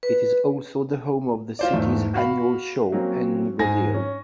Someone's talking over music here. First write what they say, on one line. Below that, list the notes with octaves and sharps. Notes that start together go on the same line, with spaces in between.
It is also the home of the city's annual show and rodeo.
B4
F4 C5 D5
E2 G#2 A3
F#4 F5 B5
F#3 A#3 C4 C#4
G#2 G#5 A#6
C#4